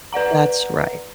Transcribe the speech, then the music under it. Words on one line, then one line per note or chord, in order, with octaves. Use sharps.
That's right.
B4 D5 F#5 A#5